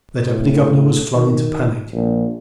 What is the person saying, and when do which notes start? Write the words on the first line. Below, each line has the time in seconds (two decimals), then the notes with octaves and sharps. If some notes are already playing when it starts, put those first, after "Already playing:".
The Deputy-Governor was flung into panic.
0.29 A2
1.15 D#3
1.93 A#1